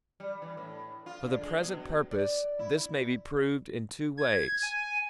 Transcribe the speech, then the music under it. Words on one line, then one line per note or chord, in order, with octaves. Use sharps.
For the present purpose this may be proved in two ways.
G3
E3
A2
F4
D3
G#3
B2
D5
E4
G#6
G#5